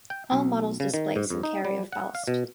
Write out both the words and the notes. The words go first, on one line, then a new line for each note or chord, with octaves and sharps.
All models displace and carry of ballast.
G5
B1
C#3
D#3
G#2
F2
D#4
G3
F#5
F5
B2